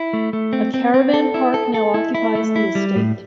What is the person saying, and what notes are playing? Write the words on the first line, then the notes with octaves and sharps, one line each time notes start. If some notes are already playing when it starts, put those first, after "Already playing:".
A caravan park now occupies the estate.
Already playing: E4
A3
A3
C4
C4
C4
A4
E4
A4
A4
E4
E4
A3
E4
G3
A2